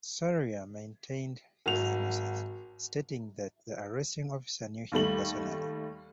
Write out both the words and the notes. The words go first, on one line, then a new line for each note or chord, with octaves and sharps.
Sarria maintained his innocence, stating that the arresting officer knew him personally.
G#1 F#3 F7
D#2 G3 A3 F#7